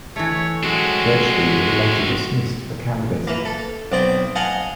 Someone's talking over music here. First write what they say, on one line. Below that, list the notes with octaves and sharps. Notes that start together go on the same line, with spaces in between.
Churchley was later dismissed for cowardice.
E3 A3 C#5
F#3 G#3 C4 F#4
E3 A#3
A4
B1 C4 D5 D6
D#5 F5 F#5 G#5 A5 C6